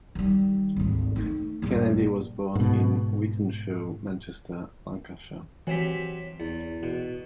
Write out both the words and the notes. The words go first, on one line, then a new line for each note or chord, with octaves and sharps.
Kennedy was born in Wythenshawe, Manchester, Lancashire.
D#3 G3
G#1 D2
A3 D#4
A#1 G2
G#2 B2
E3 F#3 C4 G4 B6
E2
B2